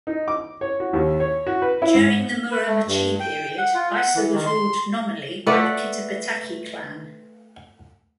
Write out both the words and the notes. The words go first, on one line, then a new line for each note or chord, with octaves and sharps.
During the Muromachi period, Ise was ruled nominally by the Kitabatake clan.
D#4
D6
C#5
F#4
D#2
C#5
F#4
B4
E4
G#2
B4
A3
G2
G5
F#5
F4
F#5
E3
D#3
C6
A3 B4 D5 F#5